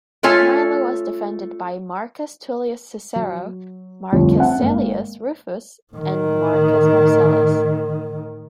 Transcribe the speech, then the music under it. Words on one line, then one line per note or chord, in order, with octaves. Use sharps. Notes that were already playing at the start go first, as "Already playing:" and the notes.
Milo was defended by Marcus Tullius Cicero, Marcus Caelius Rufus and Marcus Marcellus.
A3 C#4 F4 A4 C#5 G#5
F#3
F1 C2 D3 F3 D4 C#5
C4 E5 F#5 A5
G#1 A#3
A2 D#3